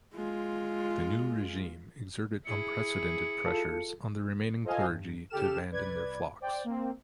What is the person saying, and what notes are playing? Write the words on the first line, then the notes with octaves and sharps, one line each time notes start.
The new regime exerted unprecedented pressures on the remaining clergy to abandon their flocks.
G#3 F4
E4 G#4 C#7
F4 A4
F4 A4 C5 D#5 F5 G#5
G2
C#3 G4 A4 F6 E7
C2 B4 D5 G#6
C5 D5 G5
A#3 C4